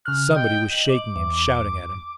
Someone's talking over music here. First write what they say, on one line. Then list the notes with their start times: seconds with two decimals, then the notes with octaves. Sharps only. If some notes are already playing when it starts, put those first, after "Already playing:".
Somebody was shaking him, shouting at him.
0.05 C#3 F6 F#6
0.35 D#5 G5
0.71 F#7
0.89 D6
1.16 E2